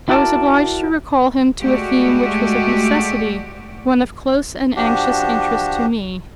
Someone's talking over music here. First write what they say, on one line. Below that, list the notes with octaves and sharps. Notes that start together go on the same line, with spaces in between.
I was obliged to recall him to a theme which was of necessity one of close and anxious interest to me.
E4 F#4 A#4 D5 G5 A5
G#3 A3 F#4 G4 D5
F3 D4 F#4 G4